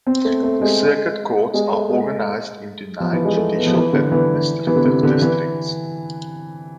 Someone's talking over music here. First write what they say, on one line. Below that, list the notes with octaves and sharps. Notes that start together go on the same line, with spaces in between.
The circuit courts are organized into nine judicial administrative districts.
C4
A3
A3
G#3
G#3
A3
G#3
F3
E3
G#3
A3
B3
F3
E3
D3
E3
E3
D3
C3
D3
E3